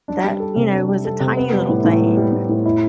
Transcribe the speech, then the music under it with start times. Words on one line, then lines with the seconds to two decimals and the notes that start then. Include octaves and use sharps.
that, you know, was a tiny little thing,
0.08 D4
0.24 G3
0.40 A4
0.56 C3
0.72 D4
0.88 G3
1.05 A4
1.20 C3
1.37 B3
1.53 G3
1.69 A2
1.85 A2
2.00 B3
2.17 G3
2.33 A2
2.49 A2
2.66 E4